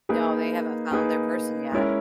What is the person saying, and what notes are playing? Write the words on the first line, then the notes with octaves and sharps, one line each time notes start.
No, they haven't found their person yet.
A#3 D#4 G#4 B4
A#3 D#4 G#4 B4
G#3 C#4 E4 A#4